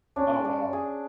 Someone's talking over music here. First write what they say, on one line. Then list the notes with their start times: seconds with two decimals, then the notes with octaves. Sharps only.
Oh, wow.
0.16 C#4 D4 C#5
0.45 D4
0.73 G#4